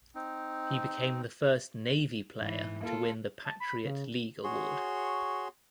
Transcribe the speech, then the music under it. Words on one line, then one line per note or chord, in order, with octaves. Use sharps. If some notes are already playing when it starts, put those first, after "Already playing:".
He became the first Navy player to win the Patriot League award.
C4 D#4
G#2 E3
A#3 F4 A4
A5
B5
C#3
F#4 G#4 C#5 C6